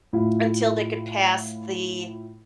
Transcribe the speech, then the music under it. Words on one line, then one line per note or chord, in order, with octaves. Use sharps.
Until they could pass the,
A2 E4 F4